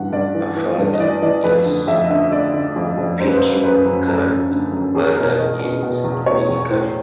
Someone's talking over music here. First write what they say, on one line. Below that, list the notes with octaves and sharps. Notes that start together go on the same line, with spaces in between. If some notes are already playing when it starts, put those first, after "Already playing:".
Her father is Puerto Rican and her mother is Dominican.
Already playing: G2 E3 F#5
G2 D5
E3
E3
G2
D#5
E3 D5
E3 D5
F2 B4
D3
F2 E5
D#5
D3 E5
D3 D5
D3
F2
F2
F#2 C5
B4
C5
F#2
F#2 B4
F#2
F#2 A4
F#2
D3
F#2
E2 G#4
B2 A#4
E2 D#5
B2
B2
E2
B2 C#5
E2
A2 C5